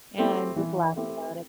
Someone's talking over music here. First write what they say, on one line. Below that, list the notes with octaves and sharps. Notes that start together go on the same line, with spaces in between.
and just laugh about it.
A3 C4 E4 G4
E3
A3 C4 E4 G4